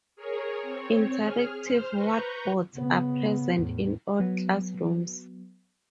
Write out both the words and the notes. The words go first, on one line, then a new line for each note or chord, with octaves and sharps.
Interactive whiteboards are present in all classrooms.
G#4 A#4 C#5
C4 C#5
G#4 F6
C5 F6
B4 A#5 C#6 G6
C#3 B3
E2 A2
F#3 B3